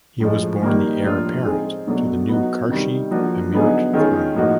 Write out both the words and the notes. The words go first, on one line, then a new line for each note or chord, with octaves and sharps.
He was born the heir apparent to the New Karshi Emirate throne.
A2 F3 G#3
D#3 G3 A#3
A2 F3 A#3 D4 F4
G#3 C4 D#4 G#4
B2 F#3 A3 D4
F#3 B3 D#4 F#4
C3 D#3 G3
F3 A#3 D4 F#4
D3 F#3 B3 D#4 G#4
D#3 G#3 C#4 F4 G#4
A2 F3 A#3 D#4 F#4